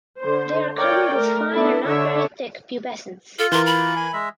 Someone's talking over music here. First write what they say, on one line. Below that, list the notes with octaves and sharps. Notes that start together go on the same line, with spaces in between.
They are covered with fine and not very thick pubescence.
D3 C5
A#4 C#5 D5 G5
A3 A#4
B3 D4 E4 A4
D3 D4 C#5 E5
F4 A4
E3 A#4 C6
B5
G#5
G#3 E5